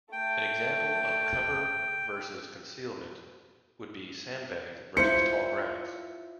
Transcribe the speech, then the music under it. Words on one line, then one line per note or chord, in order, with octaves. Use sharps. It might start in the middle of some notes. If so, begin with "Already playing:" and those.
An example of "cover versus concealment" would be sandbags versus tall grass.
A3 A4 G5
E4 F4 C5 C#7